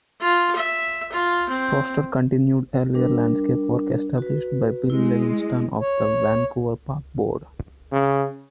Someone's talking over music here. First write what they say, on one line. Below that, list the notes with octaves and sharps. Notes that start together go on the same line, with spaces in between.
Forester continued earlier landscape work established by Bill Livingston of the Vancouver Park Board.
F4
E5
F4
C4
G3 D4 A#4
F#4 B4
G#3 E4
C#5
C#3